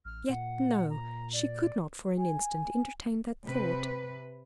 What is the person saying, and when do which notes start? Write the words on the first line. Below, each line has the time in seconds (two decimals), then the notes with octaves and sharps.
Yet, no; she could not for an instant entertain that thought.
0.05 A1 F6
0.29 A#2 F#5
0.90 A#5
1.33 D5
2.18 G#5
3.44 C3 B4